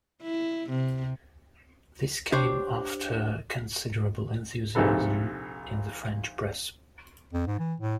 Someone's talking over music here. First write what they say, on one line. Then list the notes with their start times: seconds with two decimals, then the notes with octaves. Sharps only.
This came after considerable enthusiasm in the French press.
0.22 E4
0.70 C3
2.32 D4 G4 C5 C#5
4.75 A#1 G#2 C3 A4 B4
7.33 F2
7.47 G#2
7.59 E3
7.80 A2